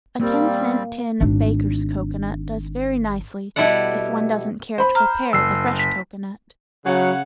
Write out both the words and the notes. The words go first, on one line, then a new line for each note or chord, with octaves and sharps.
A ten-cent tin of Baker's cocoanut does very nicely if one doesn't care to prepare the fresh cocoanut.
G3 A#3 C4
G#1 D4
B2 G3 E4 A4 D5 F#5
C5 B5
A#5 F6
F#1 E6 C7
B6
C#3 F#3 F#5